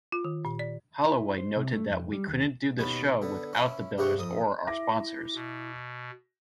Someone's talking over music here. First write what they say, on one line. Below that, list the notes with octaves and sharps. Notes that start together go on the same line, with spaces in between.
Holloway noted that we couldn't do the show without the builders or our sponsors.
F4
D#3
A#2
D5
E4
C5
C3
A3
F2
G3
D#2
D#2 B2 B3 C#4 B5
D3 B3
C#4 E4
G2 C3 G4 G#4 F#5 C#6
F2 D#6
E4 E5 D6 A#6
B2